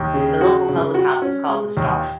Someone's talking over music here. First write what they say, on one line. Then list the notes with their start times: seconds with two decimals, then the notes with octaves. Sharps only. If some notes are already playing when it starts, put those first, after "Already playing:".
The local public house is called The Star.
Already playing: D#2
0.14 C#3
0.41 F#4
0.69 C#3
0.94 F#4
1.22 C#4
1.49 G#3
1.77 D#2